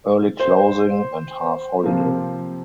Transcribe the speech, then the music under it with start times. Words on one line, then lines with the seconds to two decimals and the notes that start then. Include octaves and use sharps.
Early closing and half holiday.
0.40 C5
1.83 C3 F3 A#3